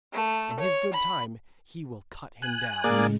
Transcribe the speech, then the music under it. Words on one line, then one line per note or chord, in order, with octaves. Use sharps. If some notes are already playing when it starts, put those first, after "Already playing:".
In His good time He will cut him down.'
A3
C#5
B5
G#5 F#6
A2 C#3 G#3 A#3 G#4 D5